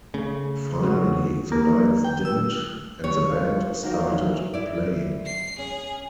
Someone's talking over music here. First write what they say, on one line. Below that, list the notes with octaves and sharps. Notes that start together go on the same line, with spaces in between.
Finally, the lights dimmed and the band started playing.
C#3 A3
C#4 F#4 C5
A#3
G5
E6
G3 C#5
F4 A4
D#3 F#3 A#3
E3
E4 D5
C7
C#4 G#4